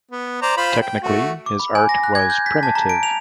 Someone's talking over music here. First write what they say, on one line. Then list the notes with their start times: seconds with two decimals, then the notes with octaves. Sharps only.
Technically his art was primitive.
0.11 B3
0.42 C5 D5 A#5
0.57 F4 C5 B5
0.82 G5
1.03 A3 F#4
1.46 D6
1.60 B5
1.75 G#5
1.89 A#6
2.03 F#6
2.15 G#6
2.30 G6
2.46 B6
2.63 A5
2.75 A#5
2.89 D7
3.03 F7